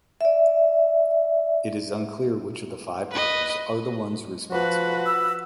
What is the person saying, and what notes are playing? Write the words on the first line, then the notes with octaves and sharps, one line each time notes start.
It is unclear which of the five brothers are the ones responsible.
D5 E5
B4 D#5
F3 F#4 B4
E6